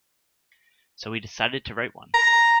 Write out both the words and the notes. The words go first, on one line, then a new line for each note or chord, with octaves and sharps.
So he decided to write one.
A#5